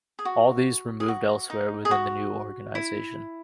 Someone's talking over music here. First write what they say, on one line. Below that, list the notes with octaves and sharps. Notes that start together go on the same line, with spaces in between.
All these were moved elsewhere within the new organisation.
G#4
F#4
G#4
F#4
D#4
G#4
F#4
E4